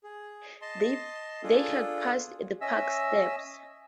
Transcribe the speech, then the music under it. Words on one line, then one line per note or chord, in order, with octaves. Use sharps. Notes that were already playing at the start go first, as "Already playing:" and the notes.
They had passed the Park steps.
G#4
D#5 A5 C6
D4 F4 G#4 A4
C#4 D#5 E5 E6